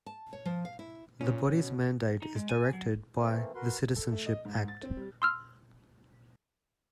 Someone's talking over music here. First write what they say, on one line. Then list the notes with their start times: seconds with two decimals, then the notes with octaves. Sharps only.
The body's mandate is directed by the Citizenship Act.
0.06 A5
0.33 C#5
0.45 F3
0.65 F5
0.79 E4
1.21 A#2 C#4
1.53 B2
2.22 D#4
2.36 G#3
2.49 G#5
2.73 F#3
3.18 E3 A3 A#3 C4
3.55 F#4 A#4 B4 C6
3.96 A4
4.12 A3
4.26 D#5
4.45 G#2
4.68 A6
4.83 C4
4.97 G3
5.22 C6 E6 F6